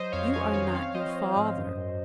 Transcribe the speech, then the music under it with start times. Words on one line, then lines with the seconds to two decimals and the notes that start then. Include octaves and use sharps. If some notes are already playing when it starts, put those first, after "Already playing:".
'You are not your father.'
Already playing: F#3 C5 D#5
0.12 F2 C#5 F5
0.33 C#4 F5 G#5
0.53 D#3 C#5 F5
0.74 C4 C#5 F5
0.94 F3 C5 D#5
1.16 F3
1.36 G#2
1.57 F#2
1.77 F#2